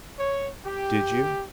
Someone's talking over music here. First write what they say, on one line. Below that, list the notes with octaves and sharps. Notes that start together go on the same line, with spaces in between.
"Did you?"
C#5
G4